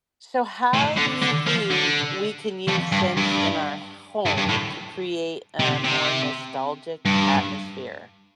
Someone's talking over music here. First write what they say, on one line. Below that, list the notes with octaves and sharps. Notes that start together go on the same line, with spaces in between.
So how do you think we can use scents in our home to create a more nostalgic atmosphere?
A2
D3
D3
F3
D3
F2
G2
G2
G2
G2
A2
C3
C3
G2